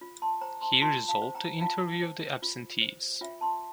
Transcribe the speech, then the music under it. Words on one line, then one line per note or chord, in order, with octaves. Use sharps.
He resolved to interview the absentees.
F4
A5 C6
C5 G5 A#5
A5 C6
F4 A5 C6
F5 A5
C5
G5 A#5
F4 F5 A5
C5
F4
C5
F4 E5 G5
A5 C6